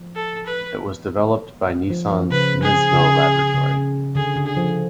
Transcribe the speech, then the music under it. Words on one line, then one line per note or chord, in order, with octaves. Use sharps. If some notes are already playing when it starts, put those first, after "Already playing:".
It was developed by Nissan's Nismo laboratory.
Already playing: F3
A4
B4
F3
F3
C#3 B4
G#4
C#3
C#3
D3 G#4
D3
G#4
F3